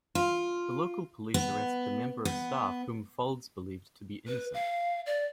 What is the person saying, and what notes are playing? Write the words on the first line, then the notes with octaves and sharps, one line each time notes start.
The local police arrested a member of staff whom Faulds believed to be innocent.
F4
B3
B3
B4
F5
D5